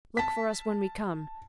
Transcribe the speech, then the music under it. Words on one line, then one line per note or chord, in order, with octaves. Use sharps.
Look for us when we come.
A5 B6